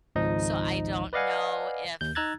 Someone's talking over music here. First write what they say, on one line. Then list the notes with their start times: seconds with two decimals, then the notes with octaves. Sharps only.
So, I don't know if
0.16 G#1 C#2 F3 D#4 D#5
1.13 B4 D5 D#5 F5 F#5 G#5
2.01 D#2 G6
2.15 D#4 A#5 E6 F#6 G#6 A6